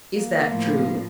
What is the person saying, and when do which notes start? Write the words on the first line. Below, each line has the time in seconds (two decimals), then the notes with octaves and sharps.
Is that true?
0.15 A#3
0.48 A2 F3